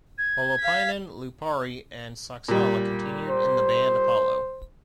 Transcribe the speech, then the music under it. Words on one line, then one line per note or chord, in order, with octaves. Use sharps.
Holopainen, Lupari and Saksala continued in the band Apollo.
G#6
F5 B6
A#2 G3
C5